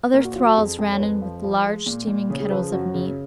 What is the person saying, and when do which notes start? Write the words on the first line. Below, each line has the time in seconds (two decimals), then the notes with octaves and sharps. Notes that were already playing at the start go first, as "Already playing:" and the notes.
Other thralls ran in with large steaming kettles of meat.
0.14 A#2 A#4
0.24 F#4
0.35 F#3 F4
0.47 F#4
0.57 F2 G#4
0.78 F2
0.92 C#5
1.00 F2 B4
1.21 F3
1.44 F3
1.64 G#3
1.86 A#2
2.07 A#2
2.30 C#3 G#4
2.40 G#4
2.51 F3 B4
2.62 G#4
2.72 F#2 F#4
2.94 C#3